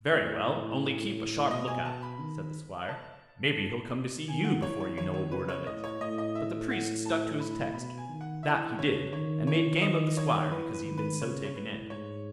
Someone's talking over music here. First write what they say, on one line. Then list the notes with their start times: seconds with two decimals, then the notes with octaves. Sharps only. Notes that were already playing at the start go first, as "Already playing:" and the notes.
'Very well--only keep a sharp look-out', said the Squire; 'maybe he'll come to see you before you know a word of it.' But the Priest stuck to his text--that he did, and made game of the Squire because he had been so taken in.
0.11 A2 C#5
1.50 B2 D#5
1.68 G#5
1.85 A5
2.03 B5
2.20 D#3
2.88 A5
4.28 D#3 G#5
4.44 F#5
4.62 E3 C#5
4.80 C#5
4.96 D#3 C#5
5.14 C#5
5.31 C#3 B4
5.49 C#5
5.67 A2 D#5
5.84 C#5
6.01 A2 D#5
6.18 D#5
6.35 E5
6.71 F#5
7.05 A5
7.40 B5
7.74 B2 B5
7.98 G#5
8.09 D#3
8.21 F#5
8.43 E3 E5
8.79 C#3 C#5
9.13 D#3 C#5
9.47 C#5
9.82 D#5
10.17 C#5
10.41 C#5
10.51 E3 B4
10.74 B4
10.87 D#3
10.97 B4
11.21 C#3 C#5
11.45 C#5
11.56 A2 B4
11.90 G#2 C#5